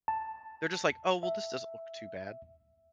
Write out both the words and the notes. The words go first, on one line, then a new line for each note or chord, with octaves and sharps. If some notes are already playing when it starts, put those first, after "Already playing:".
They're just like, "Oh, well, this doesn't look too bad,"
A5
E5